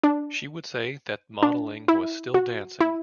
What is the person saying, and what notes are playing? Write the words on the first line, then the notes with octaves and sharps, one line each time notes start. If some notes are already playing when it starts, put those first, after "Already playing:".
She would say that modeling was "still dancing".
D4
D4
E4
F#4
E4